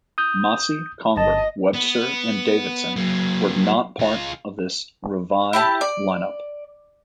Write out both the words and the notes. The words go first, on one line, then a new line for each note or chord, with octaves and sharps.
Masi, Conger, Webster and Davidson were not part of this revived line-up.
D#6 G6
G1 D#5 A5
B3
F#3 A#3
C#2 F4
E4 G4 A5
D5